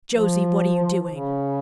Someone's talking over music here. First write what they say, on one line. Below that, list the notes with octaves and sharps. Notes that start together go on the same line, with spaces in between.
"Josie, what are you doing?"
F3
C#3